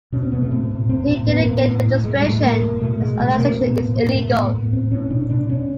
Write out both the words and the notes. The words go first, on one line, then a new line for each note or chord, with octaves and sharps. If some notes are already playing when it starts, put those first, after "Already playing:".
But he didn't get a registration and his organization is illegal.
B2 C#4
C4
B2 B3
A3
A2 C4
A2
A2 C4
A2
A2 B3
A#3
A2
B3
A2
A2
A2 G#3
G3
A2
A3
A2 A#3
A2
B2 A3
B2 G#3
B2 A3
B2 A#3
C4
A2 B3
A2
A2 A#3
A2 A3
A2 B3
A2
A2 C4
A2 C#4
B2 D4
B2 D4
B2 C#4